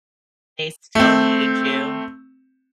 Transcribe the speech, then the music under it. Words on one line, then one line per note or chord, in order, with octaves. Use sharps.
They still need you.
A3 C4